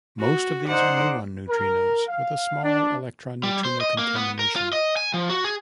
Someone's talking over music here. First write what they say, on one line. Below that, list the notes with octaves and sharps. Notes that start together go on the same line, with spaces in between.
Most of these are muon neutrinos, with a small electron neutrino contamination.
F#4
D#4 C5 D5 F#5
A#4
F5
D4
G3
C5
D#5
A#3
B3
A#4
F4
D#5
G#5
F3
F#4
G#4